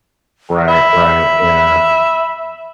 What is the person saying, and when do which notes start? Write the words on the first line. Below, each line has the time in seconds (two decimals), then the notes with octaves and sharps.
Right. Right. Yeah.
0.68 E5 B5